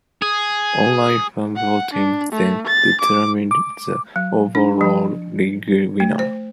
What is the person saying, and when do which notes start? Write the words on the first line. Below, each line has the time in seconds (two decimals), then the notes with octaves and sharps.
Online fan voting then determined the overall League winner.
0.22 G#4
1.56 F#5
1.93 D4
2.32 A3
2.67 A6
3.01 D6
3.51 D6
4.16 F#3
4.55 D4
4.81 F3
6.00 A3
6.19 C5